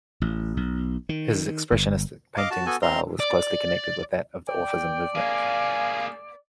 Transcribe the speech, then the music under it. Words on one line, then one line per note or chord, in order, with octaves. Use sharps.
His expressionist painting style was closely connected with that of the Orphism movement.
A1
B1
D#3
G1
D#5 F5 D6
F#4 A5
B3 F#4 A4 G#5
C4 A#5 C6
D5
D5 G5
A#3 G#4 F5 G#5